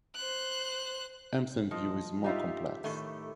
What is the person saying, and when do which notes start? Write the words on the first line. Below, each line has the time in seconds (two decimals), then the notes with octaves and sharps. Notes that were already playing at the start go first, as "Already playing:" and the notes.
Empson's view is more complex.
0.16 C5 F#6
1.71 F3 D#5
2.24 D#4 F4 G4 E5
2.84 A2 D#3 A3